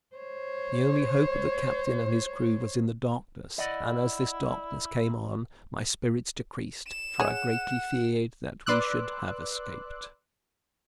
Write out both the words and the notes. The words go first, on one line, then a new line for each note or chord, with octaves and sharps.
The only hope of the captain and his crew was in the darkness; and as this darkness came on, my spirits decreased, for I greatly feared that we should have escaped.
C5 C#5
E4 D5 D#5 F#5
E7
G#4 C#5 F#5
B4 D5 C6 D6 E6 F#6